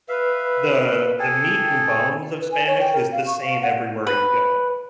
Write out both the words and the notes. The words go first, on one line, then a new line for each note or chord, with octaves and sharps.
the the meat and bones of Spanish is the same everywhere you go.
B4 E5 F5
G#4 A4 G5
B4
G#5
C#5
G5
A#4
F5
C#6
F5
F#5
B4